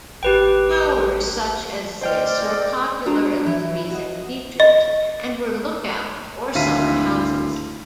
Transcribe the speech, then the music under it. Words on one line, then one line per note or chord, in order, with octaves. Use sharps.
Towers such as this were popular Elizabethan features and were lookouts or summer houses.
A1 G4 B4 G5
D2 C5 D5 D#5 G5 G#5 F6
A#3 G#4 D#5
B3 D4 F#4 A#5
E3 E4
F#4 D#5
D#5
G#1 D2 E4 F5 B6 D#7